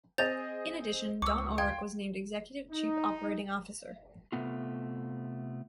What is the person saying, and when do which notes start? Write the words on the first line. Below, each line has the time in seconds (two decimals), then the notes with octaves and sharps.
In addition, Don Ulrich was named Executive Chief Operating Officer.
0.18 C4 G#4 D#5 G6 A6 F7
1.22 C#2 C#6 D6 E6
1.58 F5 G5 C6 G#6
2.71 D#4
4.32 C3 D#3 A3 B3 F4